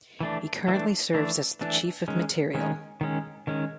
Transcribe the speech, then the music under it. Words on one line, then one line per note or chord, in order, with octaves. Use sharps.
He currently serves as the Chief of Materiel.
E3 A3 D4
E3 A3 D4
E3 A3 D4
E3 A3 D4
D#3 G#3 C#4
D#3 G#3 C#4
D#3 G#3 C#4
D#3 G#3 C#4